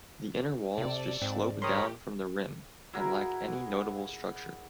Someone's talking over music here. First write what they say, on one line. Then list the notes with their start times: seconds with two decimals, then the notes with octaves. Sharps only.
The inner walls just slope down from the rim, and lack any notable structure.
0.78 C3 A4 D5
1.22 G#2 C4
1.62 G4 A#4 C#5 B5 C6 D#6
2.93 E4 F#4 G#4 A#4